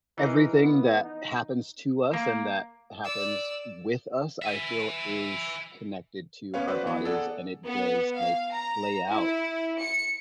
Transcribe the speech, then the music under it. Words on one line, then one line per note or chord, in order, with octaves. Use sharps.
everything that happens to us and that happens with us, I feel is connected to our bodies and it does, like, play out
E3 D#4 G#4 A#4
B3
D#4
A#3
D5 E6
E5 G#5
B3 C#4 B4 C#5 F5
F#4 B4 C5 D5
E3 B3
G#4 A4 D5 F#5
B3
F5
A#5
E4
C#7